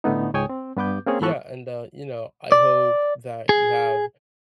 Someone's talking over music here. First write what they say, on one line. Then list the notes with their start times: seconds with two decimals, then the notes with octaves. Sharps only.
Yeah, and, uh, you know, I hope that you have
0.04 A2 D3 A3 B3 D#4
0.34 C#2 G#2 C#5 G5 G#5 D#6
0.49 C4
0.77 G2 B3 B4 D6 G6
1.06 A#3 C4 C#4 G#4 C#5
1.21 G#2 E3 B3 A4 C#6 F#6
2.52 D5
3.49 G#4